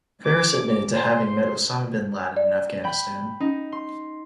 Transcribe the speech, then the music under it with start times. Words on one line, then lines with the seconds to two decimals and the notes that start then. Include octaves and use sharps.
Faris admitted to having met Osama bin Laden in Afghanistan.
0.25 D6
0.93 C5
2.37 D5
2.84 G5 B5
3.41 C#4 D#4
3.72 C6